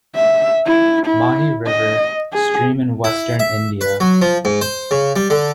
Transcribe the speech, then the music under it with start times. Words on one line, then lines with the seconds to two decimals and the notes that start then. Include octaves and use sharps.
Mahi River, stream in western India.
0.16 E5
0.67 E4
1.06 E4
1.67 D#5
2.33 G#4
3.04 E4
3.40 E5
3.81 B4
4.00 F#3
4.22 F3
4.45 G#2
4.61 C5
4.91 C#3
5.16 G3
5.30 D3